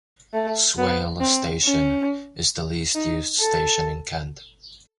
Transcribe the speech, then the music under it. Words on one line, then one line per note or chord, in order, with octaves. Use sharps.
Swale Station is the least used station in Kent.
A3
B3
C4
C#4
D#4
A4